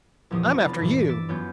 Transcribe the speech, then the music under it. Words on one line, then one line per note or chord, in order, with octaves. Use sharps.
"I'm after you."
E2 A#2 F3 G4 C6 D#6
B3 D4 F4 A#5
F1 F4 B5 A6
G2 A#2 E3
D6 E6 A6 B6 D7
F#2 B3 C#4 F4 G6